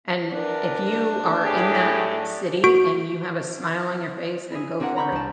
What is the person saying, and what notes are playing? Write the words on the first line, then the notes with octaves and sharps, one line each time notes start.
And if you are in that city and you have a smile on your face, then go for it.
E2 D4 A#4 B4
A2 G4 G#4
F#4 D7
E4 G#4
C4 D4 G#4 A#4 F#5
A#5 B5 C#6 G6
C2 A5